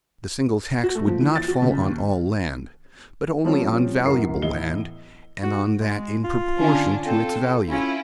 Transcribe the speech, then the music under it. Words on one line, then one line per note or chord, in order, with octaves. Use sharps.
The single tax would not fall on all land, but only on valuable land, and on that in proportion to its value.
F#4
A3
F3
E3
A6
F#4
C#3
D#2
F3 G3 C4 C#4 F4
D1 F#2 A#4 C7
E2 A2 E4 D#5 G7
F#4
G#3
F4
D3 C#4 D4
C4 F4 A4
C#4 E4 F4